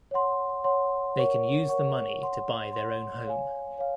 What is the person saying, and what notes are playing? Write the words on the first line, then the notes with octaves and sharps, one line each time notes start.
They can use the money to buy their own home.
C#5 F#5 C6
C#5 F#5 C6
A#4 C#5 F#5 C#6
A#4 C#5 F#5 C#6
C#5 F#5 C6
C#5 F#5 C6
C#5 F5 G#5
C#5 F5